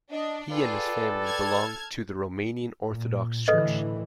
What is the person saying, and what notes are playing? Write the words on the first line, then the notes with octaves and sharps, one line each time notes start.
He and his family belong to the Romanian Orthodox Church.
D4 D#5
F4 G#4 A4 B4 D5 G5
A5 F6 G#6
A#2
A2 D3 E3 A4 B4 D#5